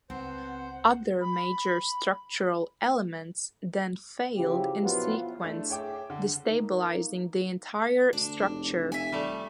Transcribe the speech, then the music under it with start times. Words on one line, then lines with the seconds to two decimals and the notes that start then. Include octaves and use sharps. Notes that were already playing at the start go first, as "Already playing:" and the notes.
Other major structural elements then failed in sequence, destabilising the entire structure.
0.10 C#2 B3 C4 C5 F#5 A5
1.21 B5
4.36 C#3 F3 F#3 E4 G4
4.82 A#2 F3 F#3 B3 E4 F4
5.44 A3 D4 E4
5.69 G#4 C#5 E5 G5 D6
6.10 D3
6.46 A#3 D#4
8.13 D2 D4
8.40 F1
8.92 E5 G#5
9.12 G3 A3